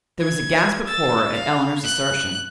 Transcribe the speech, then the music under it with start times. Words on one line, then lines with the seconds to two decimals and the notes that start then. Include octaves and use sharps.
There was a gasp of horror at Eleanor's assertion.
0.20 G#6
0.86 E6 A6
1.33 F5
1.83 F#6